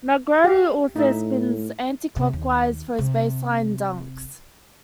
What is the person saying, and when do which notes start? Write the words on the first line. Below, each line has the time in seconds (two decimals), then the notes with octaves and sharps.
McGrady also spins anti-clockwise for his baseline dunks.
0.44 G4 F5
0.96 A2 D#4 E5
2.16 C3
2.33 D#2
2.98 C3